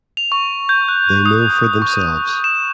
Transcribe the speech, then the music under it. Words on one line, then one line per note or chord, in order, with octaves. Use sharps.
They know for themselves.
F7
C#6
G6
F#6
D#6
C#6
E7